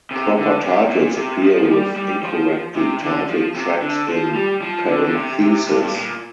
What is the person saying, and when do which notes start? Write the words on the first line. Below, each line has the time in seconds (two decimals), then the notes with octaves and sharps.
Proper titles appear with incorrectly titled tracks in parenthesis.
0.11 C3
0.38 D3
0.64 C3
0.90 A#2
1.16 C3
1.44 F3
1.63 F3
1.70 G3
1.96 G3
2.23 F3
2.76 C3
3.03 D3
3.29 F3
3.56 C3
3.82 D3
4.09 F3
4.35 G3
4.62 F3
4.88 D3
5.05 D3
5.15 C3
5.41 C3
5.68 G2
5.82 G2
5.94 A#2